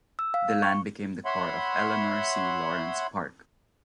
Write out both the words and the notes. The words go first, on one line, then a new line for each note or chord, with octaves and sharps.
The land became the core of Ellanor C. Lawrence Park.
E6
F5
C#6
C#5 E5 F#5 B5 C6